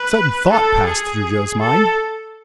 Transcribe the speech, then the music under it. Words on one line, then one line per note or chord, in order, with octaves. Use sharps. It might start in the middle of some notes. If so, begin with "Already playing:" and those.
A sudden thought passed through Joe's mind.
Already playing: B4
A4
G#4
A4